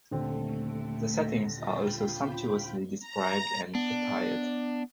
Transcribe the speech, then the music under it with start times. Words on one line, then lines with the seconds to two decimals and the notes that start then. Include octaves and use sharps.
The settings are also sumptuously described and attired.
0.11 D#1 D3 A3 C4
1.57 F4 G5 B5
2.99 A#5
3.75 B3 D4